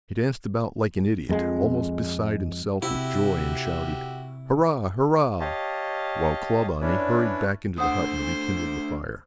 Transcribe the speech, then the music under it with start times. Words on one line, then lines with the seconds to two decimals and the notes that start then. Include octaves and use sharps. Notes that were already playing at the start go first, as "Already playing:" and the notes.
He danced about like an idiot, almost beside himself with joy, and shouted, "Hurrah! hurrah!" while Clawbonny hurried back into the hut and rekindled the fire.
1.29 F2 G#3
2.82 C3 E4 F#4 G4 E5
5.40 G4 C#5 D#5 F5 A5
6.81 C#4 D4 E4 B4 C#5 D5
7.78 D3 A3 C5 F#5 D#6